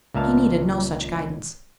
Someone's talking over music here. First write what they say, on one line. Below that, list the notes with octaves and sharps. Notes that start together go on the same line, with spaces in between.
He needed no such guidance.
C#2 A#2 E5 F5 A5